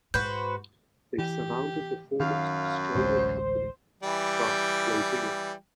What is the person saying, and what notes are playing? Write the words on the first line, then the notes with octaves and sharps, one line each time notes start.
They surrounded the foremost Australian Company and started closing in.
G#2 F#4 B4 C5 G6
E3 G4
F#2 D#3 F5
A1 D2 G#3 C5
E3 G3 G5